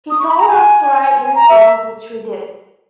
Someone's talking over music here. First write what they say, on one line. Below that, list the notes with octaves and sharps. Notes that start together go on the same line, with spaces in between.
He told us to write new songs - which we did.
D#6
C#6
B5
A#5
G#5
A#5
E5